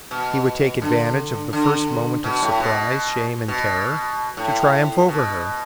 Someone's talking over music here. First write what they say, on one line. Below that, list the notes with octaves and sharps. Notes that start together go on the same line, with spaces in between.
He would take advantage of the first moment of surprise, shame, and terror, to triumph over her.
B2
D3
D3
B2
A2
B2
B2
A2
B2